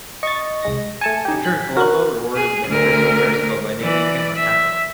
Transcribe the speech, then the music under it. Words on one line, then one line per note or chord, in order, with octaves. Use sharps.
In turn, Colombo rewarded the imprisoned Persico by naming him a "capo".
D#5 C#6 A6
C2 G#3 A#6
A3 G#5 A5 C#7
D#4 G4
F#6 B6
F#4 A#4 F#6
G#4
D2 A#4
E3 D5
E5